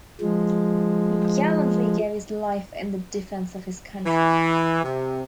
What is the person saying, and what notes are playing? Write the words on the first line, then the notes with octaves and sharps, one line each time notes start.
He gallantly gave his life in the defense of his country.
F3 G#3
E3
C3